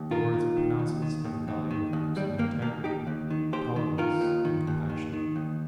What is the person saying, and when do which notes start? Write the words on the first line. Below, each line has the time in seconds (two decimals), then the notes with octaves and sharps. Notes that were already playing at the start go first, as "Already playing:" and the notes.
The words it pronounces have the value of acts of integrity, tolerance, and compassion.
Already playing: D#2
0.11 D#3 F4 A#4
0.34 D#2
0.57 D#3
0.79 D#2
1.02 D#3
1.24 D#2
1.48 D#2
1.71 D#3
1.93 D#2
2.16 D#2 G3
2.38 D#2 A#3
2.62 D#2 A#3
2.84 D#2 D#4 G4
3.07 D#2
3.31 D#3
3.53 D#2 G4 C5
3.76 D#3
3.98 D#3 F4 A#4
4.21 D#2
4.45 D#3
4.67 D#2
4.89 D#3
5.13 D#3
5.36 D#2